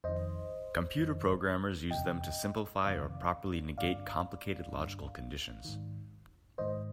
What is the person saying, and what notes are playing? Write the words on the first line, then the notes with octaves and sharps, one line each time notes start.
Computer programmers use them to simplify or properly negate complicated logical conditions.
F2 D#3 C5 D#5
F2 D#3
F2 C3 D#3 D#5 G5
F2 C3 D#3 D5 F5
G2 D3 D5 F5
G2 D3
G#2 D#3
G#2 D#3 C5 D#5